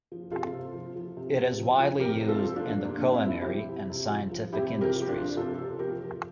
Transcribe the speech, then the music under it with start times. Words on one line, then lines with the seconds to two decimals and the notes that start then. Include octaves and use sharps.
It is widely used in the culinary and scientific industries.
0.12 F3
0.31 C3 F4 A4
0.53 C3
0.74 F3
0.96 F3
1.17 C3
1.37 C3
1.58 F3
1.80 F3
2.00 C3 G4 A#4
2.22 C3
2.28 F4 A4
2.42 F3
2.56 D4 F4
2.64 F3
2.85 C3 A#3 D4
3.05 C3
3.12 C4 E4
3.27 F3
3.41 E4 G4
3.48 F3
3.69 C3
3.90 C3
4.10 F3
4.31 F3
4.53 C3 E4 G4
4.73 C3
4.81 G4 A#4
4.96 F3
5.02 G4
5.08 D4 F4
5.17 F3
5.37 C3 F4 A4
5.58 C3
5.79 F3 G4 A#4
6.01 F3